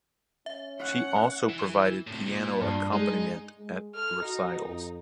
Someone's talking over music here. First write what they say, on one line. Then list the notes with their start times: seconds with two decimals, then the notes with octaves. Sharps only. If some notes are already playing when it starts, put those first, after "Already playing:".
She also provided piano accompaniment at recitals.
0.46 C#4 E5
0.79 C#5 F#5
1.49 E3
2.07 A2 C3
2.26 A#2
2.61 G2
2.93 G#3 D#4
3.58 G#3
3.95 A4 F6
4.23 D#4 F#4
4.63 F2